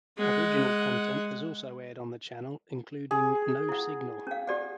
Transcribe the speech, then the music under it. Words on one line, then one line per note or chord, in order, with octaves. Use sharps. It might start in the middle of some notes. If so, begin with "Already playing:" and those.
Original content has also aired on the channel, including No Signal!
G#3 F#5
G#4
E4 F#5
C#4 F5
G4 D5 F#5